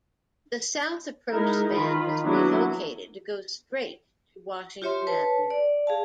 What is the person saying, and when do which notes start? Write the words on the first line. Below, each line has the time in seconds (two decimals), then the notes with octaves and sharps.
The south approach span was relocated to go straight to Washington Avenue.
1.31 G#3 D#4 E4 A#4
1.70 D#3 F4 B5
2.23 F#3 A#3 B3 D4 E4
4.82 F4 G4 C#5 E5 C6
5.07 B4 C#5 A5
5.50 D5
5.87 G#4 F5 A5